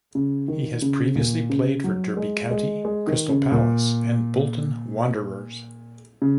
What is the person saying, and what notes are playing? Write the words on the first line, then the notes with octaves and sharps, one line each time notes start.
He has previously played for Derby County, Crystal Palace and Bolton Wanderers.
C#3
D#3
C#3
A#2
C#3
F#3
G#3
G#3
G#3
D#3
C#3
A#2
C#3